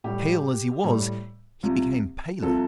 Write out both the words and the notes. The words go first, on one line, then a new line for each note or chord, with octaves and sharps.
Pale as he was, he became paler.
A2 G3 G4
A2 G3
C2 C3 F3
C2 C3 F3 A4